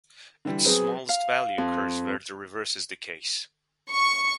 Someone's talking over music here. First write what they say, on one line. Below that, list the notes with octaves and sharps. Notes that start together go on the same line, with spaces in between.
Its smallest value occurs where the reverse is the case.
D3 E3 G3
F#3 B3 C4 G#4
F5
F2
C#6